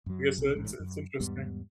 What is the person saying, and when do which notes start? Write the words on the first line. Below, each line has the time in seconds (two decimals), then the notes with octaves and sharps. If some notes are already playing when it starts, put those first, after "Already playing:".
I guess it's it's interesting.
0.06 F#2 F#3
0.37 B1 C3
0.55 A1 G#2
0.80 F#2
1.20 E2 G#2 G3 B3